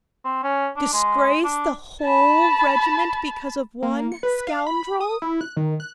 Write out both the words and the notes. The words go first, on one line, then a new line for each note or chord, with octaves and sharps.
Disgrace the whole regiment because of one scoundrel?
C4
C#4
D4
G#3
D4
A5 B5
A#3
C#7
B4
F5
B5
D#6
E4
F#6
D#3
F#6